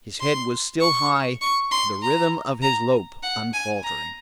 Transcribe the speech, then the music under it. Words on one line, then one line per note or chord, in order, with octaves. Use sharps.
His head was still high, the rhythm of his lope unfaltering.
C6
C#6
C#6
C6
A#5
A#5
F#5
G#5
A#5